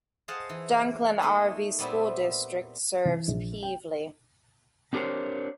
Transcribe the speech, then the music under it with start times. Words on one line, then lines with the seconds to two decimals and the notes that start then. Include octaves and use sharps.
Dunklin R-V School District serves Pevely.
0.28 G#4 C5 D#5 F5 F#5 A5
0.49 E3
1.22 A3 A#3 D#4 D#5 B5
1.79 A#2 G3 B3 C4 E4
3.05 E3
3.28 A#1
3.63 G5
4.93 C4 D4 G4 A#4 C5 C#5